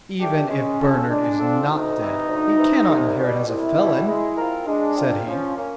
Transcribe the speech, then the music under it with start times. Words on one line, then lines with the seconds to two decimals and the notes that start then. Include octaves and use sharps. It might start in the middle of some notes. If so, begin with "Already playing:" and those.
"Even if Bernard is not dead he cannot inherit as a felon," said he.
0.19 A3 D4 G4
0.49 G#3 C#4
0.79 C4 F4 A4
1.08 G#3 D4
1.39 C4 F4 A4
1.68 D2 D#4
1.99 C3 E3
2.28 D2
2.57 C3 E3
2.88 C2
3.17 B2
3.22 G3
3.47 C2 E4
3.77 B2 G3
4.07 G#3
4.37 C4 F4 A#4
4.66 G#3 D4
4.96 C4 F4 A#4
5.27 F3 C#4
5.56 A#3 C#4